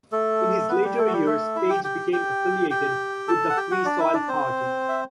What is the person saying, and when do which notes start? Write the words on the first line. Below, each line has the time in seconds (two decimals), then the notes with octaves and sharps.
In his later years Page became affiliated with the Free Soil Party.
0.12 A3 A4
0.69 B3 B4
0.84 G3 G4
0.98 A3 A4
1.07 F#4
1.12 G3 G4
1.26 A3 A4
1.56 E4 E5
1.70 G4 G5
1.84 G4 G5
2.13 G4 G5
2.71 G4 G5
3.28 A4 A5
3.50 F#5
3.57 G4 G5
3.71 F#4 F#5
3.85 D4 D5
4.00 E4 E5
4.14 D4 D5
4.29 C4 C5
4.89 E5